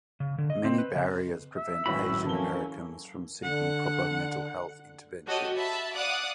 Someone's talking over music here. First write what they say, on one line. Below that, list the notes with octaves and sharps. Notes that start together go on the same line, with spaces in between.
Many barriers prevent Asian Americans from seeking proper mental health interventions.
C#3
D3
D#5
C4
B4
C#3
E5
G#1 A2 F#3 B3 C#4 F#4 B5
E3 A#3 C#4 A4 G7
D3 F#5
F#4 G4 A4 C#5 D#5
E5 A5 B5
D5 F5 F#5 D6 D#6 F#6